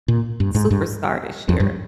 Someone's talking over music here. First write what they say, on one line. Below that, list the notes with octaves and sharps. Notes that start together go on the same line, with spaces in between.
superstar this year.
A#2
G2
G#2
G2
F2
G2